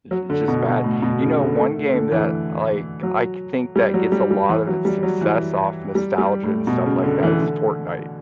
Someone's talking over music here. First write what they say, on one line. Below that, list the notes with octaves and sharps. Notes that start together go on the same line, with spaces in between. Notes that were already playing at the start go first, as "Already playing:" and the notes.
It's it's, just, bad. You know, one game that, Iike I think that gets a lot of its success off nostalgia and stuff like that is Fortnite,
F#3
D3
B2
B2
A2
B2
C#3
D3
A3
A3
D3
E3
F#3
G3
F#3
G3
G3
E3
F#3
G3
F#3
E3
G3
G3
A2
B2
C#3
D3
E3
D3